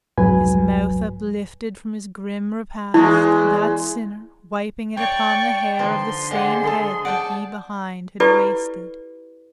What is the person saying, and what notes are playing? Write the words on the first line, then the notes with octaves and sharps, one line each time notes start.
His mouth uplifted from his grim repast, That sinner, wiping it upon the hair Of the same head that he behind had wasted.
C2 F2 G#2 F#3 B4 G#5
E2 G#3 E4
C#5 D5 G5 C#6
D3 F3 D#4 F4 B4 C6
G#3 G4 D5 F5 F#5
G#4 A4 A5
D5 F#5 G5 A5
E4 F4 G4 A4 B4 D5